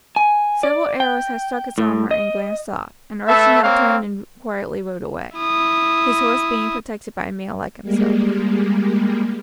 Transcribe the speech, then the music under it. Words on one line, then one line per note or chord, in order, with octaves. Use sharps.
Several arrows had struck his armour and glanced off, and Archie now turned and quietly rode away, his horse being protected by mail like himself.
G#5
D5
G5
A2
D#5
A3 A4 B4 E5
A#3 C4 C#5 F5
E4 D#6
G3 G#3 A#3